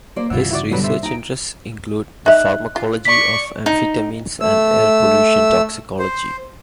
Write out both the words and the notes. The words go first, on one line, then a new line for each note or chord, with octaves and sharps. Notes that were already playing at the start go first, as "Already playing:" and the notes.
His research interests include the pharmacology of amphetamines and air pollution toxicology.
A#3 C5 D5
D2 G2 C#3 E3 F4 F#5 E6
E4 F#4 D5
B2 D3 F#3 G3 B4 B5
C5 E5
D#4 E4 G5
D#4 E5 F#6
F4
D5 C#6 B6
D#4
A3 E6
C5